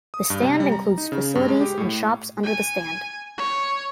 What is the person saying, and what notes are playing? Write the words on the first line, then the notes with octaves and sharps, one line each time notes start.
The stand includes facilities and shops under the stand.
D#6
G2
C3
G3
A#5
D#4
C#3
G2
G#3
G4
A2
G#5
C#5